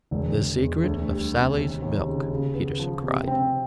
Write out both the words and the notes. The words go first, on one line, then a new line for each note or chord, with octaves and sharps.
"The secret of Sally's milk," Peterson cried.
E1
E1
E2
D2
G3
C3
D#2
D#2
C#3
C#3
B3
F3
C3
C4